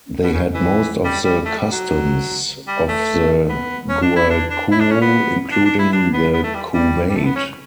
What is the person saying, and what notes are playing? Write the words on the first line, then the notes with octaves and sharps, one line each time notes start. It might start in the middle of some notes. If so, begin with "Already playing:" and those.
They had most of the customs of the Guaycuru, including the couvade.
B2
C#3
E3
G3
G3
A3
G3
F#3
G3
A3
B3
C#4
D4
E4
D4
D4
E4
D4
C#4
B3
D4
D4
E4
D4
B3
B3
A3
G3
G3
G3
A3
B3
C#4